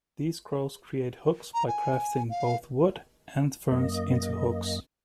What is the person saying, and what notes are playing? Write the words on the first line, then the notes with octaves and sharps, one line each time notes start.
These crows create hooks by crafting both wood and ferns into hooks.
A#5
G#5
F5
F#2 A#3 D#5